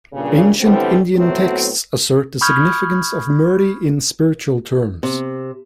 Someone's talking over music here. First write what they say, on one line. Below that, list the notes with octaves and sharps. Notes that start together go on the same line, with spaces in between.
Ancient Indian texts assert the significance of "Murti" in spiritual terms.
G2 A#2 C#3
A2 D3 E3 G3 B3 C4
A2 F#3 A3 B3 C4 F#4
B5 C#6 D#6 F6 G6 G#6
C3